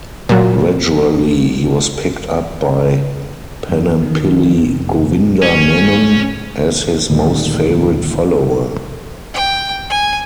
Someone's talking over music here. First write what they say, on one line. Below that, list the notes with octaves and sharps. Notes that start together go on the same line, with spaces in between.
Gradually, he was picked up by Panampilly Govinda Menon as his most favourite follower.
A#2 F#3
F#2
D#3
F1
C#4
D2 A#2 D#3 G3
G5
G#5